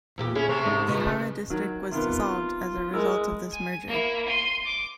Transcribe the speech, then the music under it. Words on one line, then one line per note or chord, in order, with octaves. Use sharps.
Ihara District was dissolved as a result of this merger.
E2 A#2 G4
C#4 E4 G#4
C3 A3 C4
G#2 G#3 D4
A#2 C#3
D#3 F#3
C3 D#3 B3 F4
G#3 E4 A#4 E6
G#5
A#3 E4
C6 D#7
D6